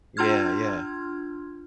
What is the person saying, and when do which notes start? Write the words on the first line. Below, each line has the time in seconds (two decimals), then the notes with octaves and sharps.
Yeah, yeah.
0.17 D4 F4 C6 F6 G#6